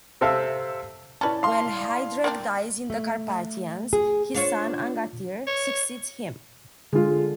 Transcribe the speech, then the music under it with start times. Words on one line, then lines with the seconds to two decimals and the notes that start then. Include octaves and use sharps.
When Heidrek dies in the Carpathians, his son, Angantyr, succeeds him.
0.21 C3 C4 A4 E5 F5
1.21 C#4 E4 B4 D5 A5
1.43 F5 C6
2.24 A#3 C4 D4
2.90 A3
3.93 G#4
4.34 D4 F4 C#5
5.47 C#5
6.93 D3 G#3 F4